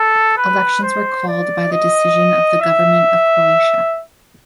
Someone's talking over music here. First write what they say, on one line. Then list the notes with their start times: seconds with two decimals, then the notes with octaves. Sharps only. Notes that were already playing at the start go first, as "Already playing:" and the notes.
Elections were called by the decision of the Government of Croatia.
Already playing: A4
0.37 B4
0.82 C5
1.28 D5
1.72 D#5
2.61 E5